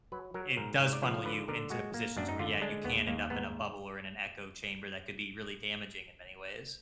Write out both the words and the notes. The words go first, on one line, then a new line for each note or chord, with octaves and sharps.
i it does funnel you into positions where, yeah, you can end up in a bubble or in an echo chamber that could be really damaging in many ways.
F#3 B4
F#3 A#4
G#2 A#4
G#2
D5
F3 B4
D3 B4
D3 A#4
G#3 F#4
A#3
F#2 D4
D#4
D3 F4
G#3 D4
D#2 B3
D#2 A#3
G#2 B3